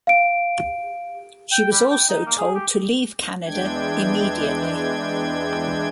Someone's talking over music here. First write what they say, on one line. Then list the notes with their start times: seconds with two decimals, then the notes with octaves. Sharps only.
She was also told to leave Canada immediately.
0.07 F5 D7
1.52 G5
1.72 G3
1.91 G5
2.09 D#4
2.26 A#3
2.38 G#4
2.55 G4
3.46 E2 E3 G#3 D4 G5 G#6